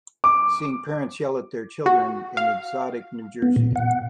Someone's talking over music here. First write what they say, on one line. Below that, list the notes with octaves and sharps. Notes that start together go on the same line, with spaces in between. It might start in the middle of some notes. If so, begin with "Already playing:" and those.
Seeing parents yell at their children in exotic New Jersey?
D6
F#4
F5
B3
A#2
F#5